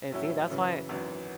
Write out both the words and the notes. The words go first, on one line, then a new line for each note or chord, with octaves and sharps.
and see that's why
A2 F#3 C#4 E4
F#2 C#3 E3
G#1 F#2 E3